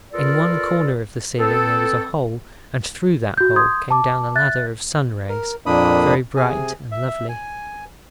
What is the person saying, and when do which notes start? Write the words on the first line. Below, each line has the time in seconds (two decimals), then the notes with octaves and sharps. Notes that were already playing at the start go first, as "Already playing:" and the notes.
In one corner of the ceiling there was a hole, and through that hole came down a ladder of sun-rays--very bright and lovely.
0.12 B3 F4 A4 A#4 D5
1.38 B3 C4 A4
3.37 F#4 G6
3.56 C6 D#6 G6 G#6
3.91 A5 D6
4.35 E5 F#6 A6
5.29 A#4
5.66 F2 A#2 A#3 D4 B5 D#6
6.36 C3 G#4 G#5
6.92 E5
7.29 G#5